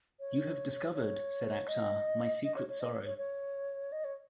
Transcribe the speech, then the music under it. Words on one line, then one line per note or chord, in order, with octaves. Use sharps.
"You have discovered," said Akhtar, "my secret sorrow."
C#5
C#5
D#5
D#5
C#5
C#5
D#5
C#5
C#5
C#5
D#5
C#5